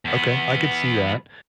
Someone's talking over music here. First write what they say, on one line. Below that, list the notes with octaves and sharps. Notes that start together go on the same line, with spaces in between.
Okay, I could see that.
E2 B3